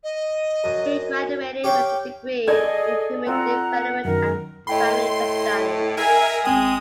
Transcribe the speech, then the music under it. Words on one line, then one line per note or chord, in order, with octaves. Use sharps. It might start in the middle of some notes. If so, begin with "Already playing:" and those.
He graduated with a degree in human development and family studies.
D#5
F#2
G4 C#5 F5 G5
G#4 A4 D5 D#5 G#6
C4 F4 F#5 A#5 E6
F#2 D#3 A#4
A2 D#5 G5 B5 C6
G#4 A#4 E5 G#5
G#1 G#3 C4 G5 D#6